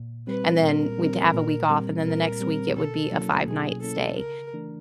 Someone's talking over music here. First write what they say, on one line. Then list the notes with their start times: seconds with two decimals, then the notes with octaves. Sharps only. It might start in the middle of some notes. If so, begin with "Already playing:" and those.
and then we'd have a week off, and then the next week, it would be a five-night stay.
Already playing: A#2
0.27 G3 C4 B4
0.63 A#2 A#4
0.98 G3 C4
1.34 A#2
1.69 G3 C4
2.05 A#2 A#4
2.40 G3 C4
2.76 B2 A4
3.11 F#3 A#3 C#4 E4
3.47 B2 G#4
3.82 F#3 A#3 C#4 E4 A4
4.18 C#3 A#4
4.53 E3 A3 D4